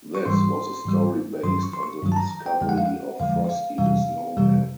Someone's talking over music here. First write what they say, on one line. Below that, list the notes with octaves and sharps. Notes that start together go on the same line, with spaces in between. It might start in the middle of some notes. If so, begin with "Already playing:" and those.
This was a story based on the discovery of Frosty the Snowman.
C#6
G#2 E3 G3 C6
G#2 E3 G3
G2 D#3 F#3 C6
C#6
C6
C#6
G2 D#3 F#3
A5
A#5
A#5
G5
F2 D3 F3 G#3 G5
F#5
F5
F#5
F2 D3 F3 G#3 F5
F5
F2 C3 E3 G3 F5
F2 C3 E3 G3